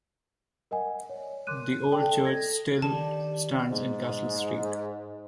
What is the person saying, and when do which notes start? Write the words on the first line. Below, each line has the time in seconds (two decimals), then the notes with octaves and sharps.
The old church still stands in Castle Street.
0.71 A#4 D#5 F#5 G#5
1.09 C#5 D5
1.47 A#4 C6 D6 F#6 D#7
1.92 A4 D5 G5 A5
2.22 A4 D#5 G#6 A#6
2.82 D#3 G3 D4 G4 A5
3.71 G#2